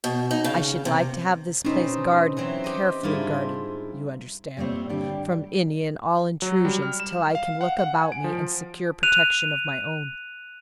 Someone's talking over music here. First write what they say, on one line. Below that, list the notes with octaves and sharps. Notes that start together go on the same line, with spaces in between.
I should like to have this place guarded--carefully guarded, you understand--from any and all intrusion till I can look about me and secure protection of my own.
B2
D#4
C#3
C3
B2 C4 C#4 D#4
E3 F#3 C4
G4 D#5
G#2 G3 D4 E4 F4
A#2 G3 A3 C4 C#5
G2 D3 G3 D4 G4
F#3
G3
F6
E7
F5
F#5
F#5
G#5
D7
F3
F#6 D#7 F7